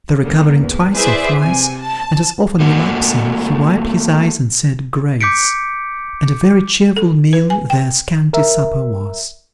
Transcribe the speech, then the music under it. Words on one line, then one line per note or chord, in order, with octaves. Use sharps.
After recovering twice or thrice, and as often relapsing, he wiped his eyes and said grace; and a very cheerful meal their scanty supper was.
D3 G3 A#3 B3
E2 G#2
E4 G#4 B4 C5 D5 E5
C3 G#5
A5
A3 A#3 F#4
D6 G6 B6 C#7 D7
A4
B4
G#5
G5
A#4 E5